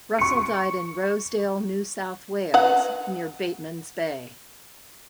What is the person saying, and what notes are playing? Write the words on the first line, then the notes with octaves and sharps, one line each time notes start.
Russell died in Rosedale, New South Wales, near Batemans Bay.
C#6 C#7
B4 F5 F#5